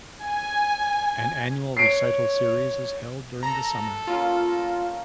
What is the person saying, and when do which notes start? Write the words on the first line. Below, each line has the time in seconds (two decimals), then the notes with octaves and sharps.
An annual recital series is held during the summer.
0.22 G#5
1.77 C#5 C7 D7
3.43 A4 A#5
4.07 A#3 C#4 F4 A#4